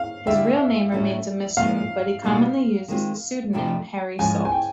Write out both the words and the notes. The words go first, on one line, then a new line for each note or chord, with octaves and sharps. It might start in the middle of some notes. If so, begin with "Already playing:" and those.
His real name remains a mystery but he commonly uses the pseudonym Harry Salt.
Already playing: F5
D3 G3 B3 E5
A2 F#3 A3 C#4
A#2 F3 G#3 F5
B2 G3 A#3 D#4
D#3 G#3 C4 F4
F2 C3 F3 A3 D4
G#2 F3 G#3 C#4 F4 G#5
G#5
G5